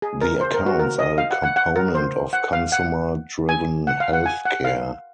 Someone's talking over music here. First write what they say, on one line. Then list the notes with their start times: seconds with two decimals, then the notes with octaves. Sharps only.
The accounts are a component of consumer-driven health care.
0.02 G#4
0.21 A#4
0.41 C5
0.54 A#4
0.66 F#4
0.79 A#4
0.99 D#5
1.18 F5
1.31 F#5
1.43 F#5
1.56 F#5
1.76 A#4
1.95 C5
2.33 F#5
2.53 F5
2.72 F#5
3.49 G#5
3.87 F#5
4.00 F5
4.13 F#5
4.26 G#5
4.45 F#5
4.65 F5